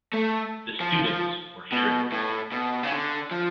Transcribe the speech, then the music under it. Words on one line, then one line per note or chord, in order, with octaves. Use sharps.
The students were furious.
A3
F3
F3
B2
A2
B2
C#3
D3
F3